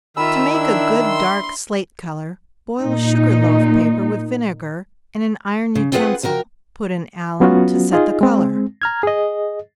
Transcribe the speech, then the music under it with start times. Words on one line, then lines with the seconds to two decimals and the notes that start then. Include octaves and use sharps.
To make a good dark slate color, boil sugar-loaf paper with vinegar, in an iron utensil--put in alum to set the color.
0.17 D#3 F4 E5 B5 E6
0.55 D4 E4 E5
1.06 C6
2.80 A#2 D#4
5.75 C#3
5.92 C4 F4 G#4 B4 E5 F#5
6.23 F3 F#4 A#4 G5
7.40 F#3 B3 C#4 F4 F#4
7.92 D#4 F4 G#4 D#5
8.21 G#3 C4
8.82 A#5 F6 G#6
9.03 G#4 D#5